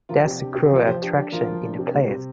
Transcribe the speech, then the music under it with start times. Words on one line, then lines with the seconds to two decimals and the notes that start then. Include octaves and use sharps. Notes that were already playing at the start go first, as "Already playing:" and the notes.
There's a cruel attraction in the place.
0.09 F3 F4 A#4
0.25 C3 G4
0.40 D4 G4
0.52 G4
0.56 C3
0.63 G4
0.71 F3 F4 A#4
0.86 F3 G4 C5
1.02 D4 G4
1.17 D4 G4
1.32 F3 F4 A#4
1.48 F3
1.64 D4
1.79 C3
1.94 G3
2.09 C3